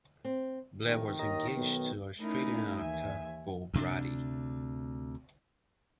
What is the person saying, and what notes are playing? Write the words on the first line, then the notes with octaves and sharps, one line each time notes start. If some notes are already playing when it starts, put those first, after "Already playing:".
Blair was engaged to Australian actor Beau Brady.
C4
F1 D#3
D#2 A#4 D#5 A#5
B1 B3
A3 C#4 D#4 E4 A#4
D#2 E3 E5 G#5
D2 C3 G3 D4